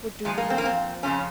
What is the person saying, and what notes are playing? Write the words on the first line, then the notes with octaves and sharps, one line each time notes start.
"What do you mean?"
A#2 F3 G#3
A#3
C4
A#3
C4
F2 C#3 F3 C#4